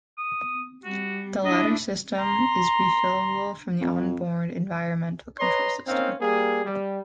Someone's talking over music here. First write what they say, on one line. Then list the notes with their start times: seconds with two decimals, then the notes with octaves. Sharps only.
The latter system is refillable from the on-board environmental control system.
0.18 D#6
0.84 G3 F#4
1.45 D4 E4 D#5
2.18 A#5 C6
3.81 F2
5.39 B4 C#5 D#5 A#5 C6
5.87 A#3 C4 C#4 D#4 F5
6.20 G3 A#3 G#4
6.65 G3